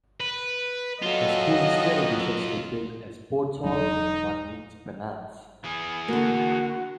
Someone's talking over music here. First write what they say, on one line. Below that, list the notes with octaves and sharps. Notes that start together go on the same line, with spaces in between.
The school still wishes to build a sports hall but needs finance.
B4
F#3 F4 A4 D#5
E1 F#3 D#4
E3 G#4
D3 A#3 F#4